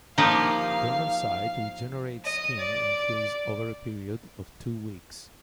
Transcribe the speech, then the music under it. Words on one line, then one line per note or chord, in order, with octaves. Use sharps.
The donor site regenerates skin and heals over a period of two weeks.
F3 A#3 D#4 G4 F5
D#5
D5